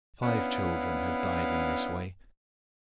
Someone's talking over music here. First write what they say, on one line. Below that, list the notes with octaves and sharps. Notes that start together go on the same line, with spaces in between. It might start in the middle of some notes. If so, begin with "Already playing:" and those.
Five children had died in this way.
B3 C#4 D4 E4 F5